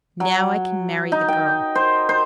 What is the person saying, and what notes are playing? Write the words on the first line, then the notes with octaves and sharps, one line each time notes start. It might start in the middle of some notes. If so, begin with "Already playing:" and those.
"Now I can marry the girl."
F#3
D#4
G5
C5
C5